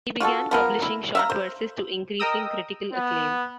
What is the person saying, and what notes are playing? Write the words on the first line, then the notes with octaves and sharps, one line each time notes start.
He began publishing short verses to increasing critical acclaim.
F4 F#4 G#4 A4
F3 B3 A#4
E4
E5 F5 A#5
C5
A#4 D#5 G5 A#5 D#6 E6
B3